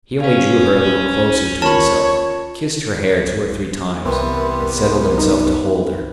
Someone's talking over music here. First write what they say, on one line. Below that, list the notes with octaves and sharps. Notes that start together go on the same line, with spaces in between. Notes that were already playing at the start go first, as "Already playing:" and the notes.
He only drew her a little closer to himself, kissed her hair two or three times, and settled himself to hold her.
C#4 B4 F5
F4 A#4 C#5 A5 B5
C2 E3 G3 B3 C4 A#4 C6
D#4